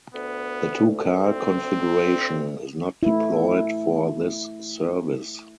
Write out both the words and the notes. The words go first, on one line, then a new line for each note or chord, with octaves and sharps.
The two-car configuration is not deployed for this service.
D2 B3
C4
D2
A3 E4